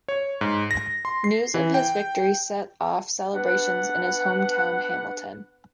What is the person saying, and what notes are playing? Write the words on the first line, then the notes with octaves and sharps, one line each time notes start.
News of his victory set off celebrations in his home town Hamilton.
C#5
G#2
A#6
C6
C7
E3
G5
B3 D4 B4 F#5